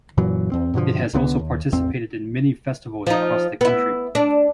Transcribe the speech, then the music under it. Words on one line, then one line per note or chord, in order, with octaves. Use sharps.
It has also participated in many festivals across the country.
F#2 A#2 E3 F#3
E2 C4
G2 B2 D3 F3
C#2 D3 F#3 B3
D#2
A1 E2 C4
F3 D#4
B3 E4
D4